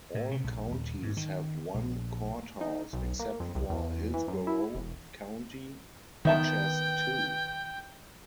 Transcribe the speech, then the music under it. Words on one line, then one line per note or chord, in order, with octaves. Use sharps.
All counties have one courthouse except for Hillsborough County which has two.
A2
C3
A#1
D#1
G#2
D#3
A#1
D#4
B1
A#3
F2
C2
E2
E3
F#2
E4
E1
D#3 B3 E5 G5 A5